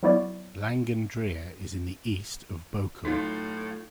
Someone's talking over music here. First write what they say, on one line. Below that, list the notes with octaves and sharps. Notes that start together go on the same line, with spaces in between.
Langendreer is in the East of Bochum.
F#3 B3 E4 C#5 D5
A2 F#3 D#4 F4